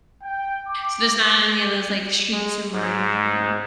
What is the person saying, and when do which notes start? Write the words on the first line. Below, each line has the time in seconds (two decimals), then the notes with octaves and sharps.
so there's not any of those, like, streaks, and lines, and whatnot.
0.22 G5
0.68 D6
2.32 G#3
2.74 G#2